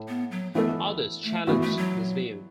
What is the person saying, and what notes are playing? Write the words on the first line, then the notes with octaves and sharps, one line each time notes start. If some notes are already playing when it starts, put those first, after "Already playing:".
Others challenged this view.
Already playing: A2
B3
F#3
E3 A3 B3 A4
A3
E3 A3 B3 F#4
A3
F#3